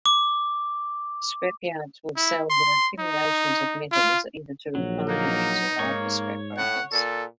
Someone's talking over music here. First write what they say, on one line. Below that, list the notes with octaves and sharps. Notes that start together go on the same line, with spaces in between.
Scrapyards will sell their accumulations of metals either to refineries or larger scrap brokers.
D6
E4
C6
D#4
F4
A#1 F#3
A#3 D#4
G#2 A#3 C#5
A2 F#5
A#2 A4